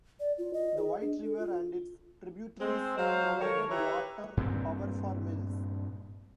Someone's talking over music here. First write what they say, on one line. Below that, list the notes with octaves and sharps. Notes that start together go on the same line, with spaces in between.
The White River and its tributaries provided water power for mills.
D5
F4
D#5
G#4
D4
A4
F4
G#3 C4
F#3 C5 F5
D#3 A4 A#4 C#5
E4 G4 B4 C#5 E5 A#5
G2 A#2 C4